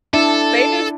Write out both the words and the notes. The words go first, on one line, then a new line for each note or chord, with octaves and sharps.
They just
D4 E4 A4